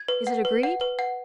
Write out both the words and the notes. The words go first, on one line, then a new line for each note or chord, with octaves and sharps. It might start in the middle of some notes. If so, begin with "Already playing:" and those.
"Is it agreed?"
Already playing: G#6
B4
F#5
B4
F#5
B4
F#5